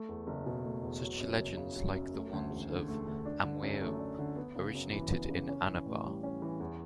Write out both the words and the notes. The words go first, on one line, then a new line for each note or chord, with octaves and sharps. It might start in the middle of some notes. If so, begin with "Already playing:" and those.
Such legends like the ones of 'Amwieob' originated in Anabar.
Already playing: A3
E2
F#1
B2
A3
E2
F#3
F#2
F#1
C#3
F#3
F#2
A3
D2
E1
D3
A3
D2
D4
D3
F#2
A3
D4
D3
B3
C#3
F#2
E3
B3
C#3
C#4
E3
A2
G3
C#4
E3
E2